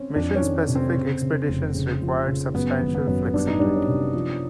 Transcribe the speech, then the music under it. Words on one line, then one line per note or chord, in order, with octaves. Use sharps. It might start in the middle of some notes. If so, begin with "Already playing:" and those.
Mission-specific expeditions required substantial flexibility.
Already playing: C4 C#4
F2 D4
C#4
D#3
C3
C4
C#3
C#3
F1
C#3
F3
C#3
F#2 B3
G#1
B3
F#2
G3 D4
D#4
G3 D4
C#4
C3
F3